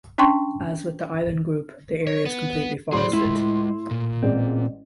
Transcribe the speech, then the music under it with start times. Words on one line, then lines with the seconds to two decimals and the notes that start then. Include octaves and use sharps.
As with the island group, the area is completely forested.
0.18 C#4 D4 G5 A5 C6 C#6
2.07 C#5
2.26 B3
2.93 A2 F#3 G#4 C5 D5 B5 C6
3.13 G#3 E4 F4
3.91 A#2
4.22 A1 G#3 C4 D5